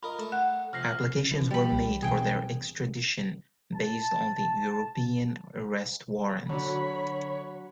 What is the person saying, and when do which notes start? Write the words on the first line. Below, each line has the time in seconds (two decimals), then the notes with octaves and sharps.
Applications were made for their extradition based on the European Arrest Warrants.
0.03 F4 A#4 D#5 B5
0.19 A3 A5
0.32 F#5 F#6
0.73 C3 F3 F6 A#6 C7
1.31 E3 F3
1.51 G3 B5
1.72 C2
2.02 B2 E3 C4 G#4 G5
3.74 A5
6.49 D3 F#3 D4 F#4 C#5 B5